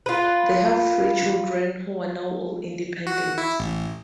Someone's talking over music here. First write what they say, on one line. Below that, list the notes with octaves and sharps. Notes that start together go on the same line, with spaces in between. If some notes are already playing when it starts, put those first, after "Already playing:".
They have three children who are now all independent.
F4 B4
F#4
E4
A1